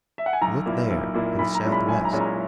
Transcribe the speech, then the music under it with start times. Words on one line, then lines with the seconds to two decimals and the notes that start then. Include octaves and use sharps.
Look there, in the southwest.
0.18 E5
0.26 F#5
0.33 G#5
0.42 B1 A#5
0.66 A#2 A#3 E4
0.90 B1
1.14 A#2 A#3 E4
1.39 B1 B5
1.55 A#5
1.64 A#2 G#3 C#4 E4
1.72 B5
1.88 B1 G#5
2.05 A#5
2.13 A#2 G#3 C#4 E4
2.21 A#5